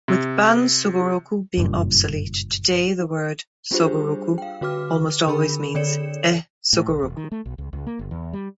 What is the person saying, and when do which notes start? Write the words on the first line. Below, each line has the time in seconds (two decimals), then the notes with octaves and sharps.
With "ban-sugoroku" being obsolete, today the word "sugoroku" almost always means "e-sugoroku".
0.08 C3
1.58 F#1 G2 A#2
3.71 G3 D4 F4 G4 G#4 C5
4.38 F5 G5
4.61 D3 F#4 B4 D6 F6
5.27 D3 D4 G#4 A#4 B5
5.75 D3 A4 C#5 D5 C#7 E7
6.73 A2
6.88 B1
7.03 E1
7.17 D#3
7.32 A3
7.46 B1
7.58 C#2
7.73 C#2
7.87 A#3
7.99 G1
8.11 E2
8.33 G3